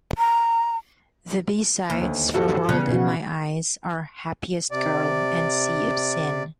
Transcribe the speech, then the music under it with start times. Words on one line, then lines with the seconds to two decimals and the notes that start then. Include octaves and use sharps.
The B-sides for "World in My Eyes" are "Happiest Girl" and "Sea of Sin".
0.18 A#5
1.90 D#2
2.01 D2
2.34 G2 F#4 A4
2.69 C#3 E3 G3 B3 F#6
2.88 B2 F#4
4.71 C3 D5